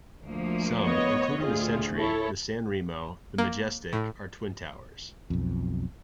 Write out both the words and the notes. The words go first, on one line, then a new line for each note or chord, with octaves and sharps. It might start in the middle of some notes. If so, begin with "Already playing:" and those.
Some, including The Century, The San Remo, and The Majestic, are twin towers.
D2 F3 A#3
B3 C#5 D#5
D2 A2 F4 G#4
E4 A4 C#5
A#3
A2
B1 F2